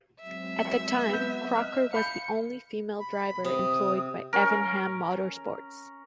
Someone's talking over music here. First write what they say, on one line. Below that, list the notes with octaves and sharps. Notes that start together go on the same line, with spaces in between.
At the time, Crocker was the only female driver employed by Evernham Motorsports.
F#3 G#3 C4 E5
B3 G6
D#5 F6 F#6
F5 B5 G6 C#7
B5
C3 D#6
C#4 A#4